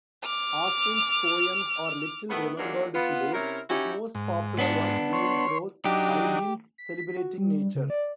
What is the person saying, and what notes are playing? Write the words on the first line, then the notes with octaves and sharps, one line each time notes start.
Austin's poems are little-remembered today, his most popular work being prose idylls celebrating nature.
D6 F6
A2 D#3 A3 B3
E2 F#3 G3 A#3 D4 D#4
B3 F4
C3 C#4 E4 A#4
C#4 D#4 E4 F#4 G4
G#2
B3 D4
C#5 C6
F#3 D4 D#4 G4
B6
F#4
G3
C#3
D5